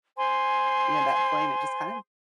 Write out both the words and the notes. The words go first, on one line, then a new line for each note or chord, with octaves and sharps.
you know, that flame, it just kind of
C5 G#5 C6